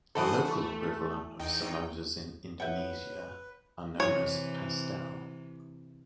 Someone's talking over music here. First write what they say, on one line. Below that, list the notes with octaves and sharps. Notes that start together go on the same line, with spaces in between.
The local equivalent of samosas in Indonesia are known as "pastel".
E3 A4 C5 F#5 D#6
A3
E2 D#4 G5
E4 B4 C#5 F#5 G5 G6
C3 E3 C#5